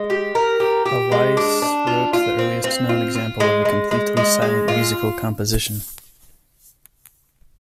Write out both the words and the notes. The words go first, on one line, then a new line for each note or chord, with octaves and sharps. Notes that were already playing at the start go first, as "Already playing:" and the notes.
Allais wrote the earliest known example of a completely silent musical composition.
Already playing: G#3
G4
A#4
G4
G4
G#3
D4
D4
F4
F4
C4
C4
F4
F4
G#3
G#3
G#3
G#3
G#3
F4